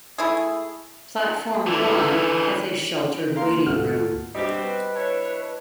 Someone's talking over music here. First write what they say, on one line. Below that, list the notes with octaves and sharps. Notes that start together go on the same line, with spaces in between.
Platform One has a sheltered waiting room.
A3 E4 G#4
D3 E3
A#3 A#4 F5 C6
D2 G#2 F#4 A4 F6
B2 G3 C4 D4 G4 D#5
B4
D4 E4 C#5